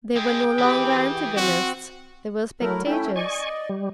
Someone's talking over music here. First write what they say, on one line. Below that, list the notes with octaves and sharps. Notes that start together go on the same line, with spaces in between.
They were no longer antagonists; they were spectators.
G#3 E4 G#4 G5
E3 G4 B4 E5
C4 F#4
F#3 A3 E4 A#4
A3 C#4 E4 G5
D5 D#5 G#5 C#6
G3